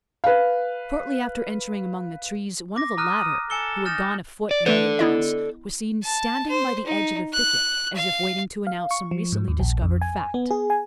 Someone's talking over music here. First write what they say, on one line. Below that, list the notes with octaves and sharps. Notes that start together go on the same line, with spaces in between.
Shortly after entering among the trees, one of the latter, who had gone afoot in the advance, was seen standing by the edge of the thicket, as if waiting to announce some recently discovered fact.
B4 F5
D6 A#6
A#5 D#6 F6 F#6
A4 G#5 C#7 G7
D#4 F6 A6 E7
D5
A3 A4 B4 D5
B3 E4 D#5
A5
C5
D#4
F#6
F5
F5
C#6
F3
G#2
D#2
A#1
F2
G#5
B3
G#4
G#5